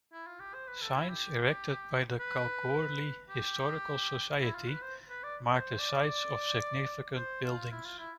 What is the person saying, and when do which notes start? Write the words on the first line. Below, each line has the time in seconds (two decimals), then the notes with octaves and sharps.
Signs erected by the Kalgoorlie Historical society mark the sites of significant buildings.
0.13 E4
0.27 F4
0.40 G4
0.54 C5
0.68 B4
0.82 A4
0.96 E4
1.09 G4
2.20 B4
3.29 G4
4.41 E4
4.55 F4
4.68 B4
4.82 C5
5.09 B4
5.23 D5
5.51 C5
5.79 D5
6.06 D5
7.16 C5
7.44 F4
7.72 E4
7.86 F4
7.99 E4